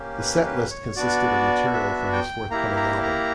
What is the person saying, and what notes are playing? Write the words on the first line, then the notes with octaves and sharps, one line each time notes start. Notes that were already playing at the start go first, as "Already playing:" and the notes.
The set list consisted of material from his forthcoming album.
Already playing: A#3 C#4 G4
B4
B4
C#5
B3 D4 F#4 D5
E5
G5
A#3 E4 G4 A#5
A#5
A#5